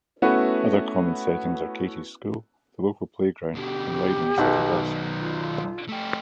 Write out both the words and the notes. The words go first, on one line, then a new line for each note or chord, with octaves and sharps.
Other common settings are Katie's school, the local playground, and riding the city bus.
A3 B3 C#4 E4 F#4 B4
B2 D3 G4
B1 B2 D#3 F#3 F#5
F4
A3 G4